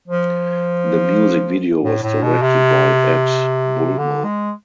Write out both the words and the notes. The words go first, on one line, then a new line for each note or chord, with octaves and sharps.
The music video was directed by Ed Bulmer.
F3
A2
A2
B2
C3
D3
G#3